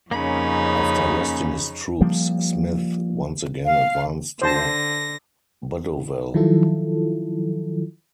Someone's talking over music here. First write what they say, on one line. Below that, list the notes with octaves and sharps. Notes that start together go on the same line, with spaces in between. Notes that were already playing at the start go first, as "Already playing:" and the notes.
After resting his troops, Smith once again advanced to Buddowal.
F2 C#3 A#3 C#4 D#4 B5
F3 G3 A#3
F5
D3 C5 A5 A#6
D#3 F3 F#3 E4 F4 A4